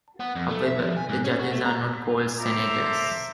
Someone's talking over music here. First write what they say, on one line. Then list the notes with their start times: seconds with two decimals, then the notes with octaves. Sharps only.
However, the judges are not called "senators".
0.20 B3
0.35 F2
0.49 A3
0.66 E5
0.79 F3
0.97 G#5
1.09 G#2
1.24 C#4
1.39 F#4
1.51 A3
1.65 A#5
2.40 A4 C5 E5 A#5 C6 D6